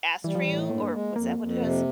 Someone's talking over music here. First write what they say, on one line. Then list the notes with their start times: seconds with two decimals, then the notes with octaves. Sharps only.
asked for you? Or was that what it was?
0.24 E3 G3
0.35 F3
0.45 A2 E3
0.69 G2 A#3
0.92 G#3
1.15 F2 A#3
1.38 F2
1.61 C3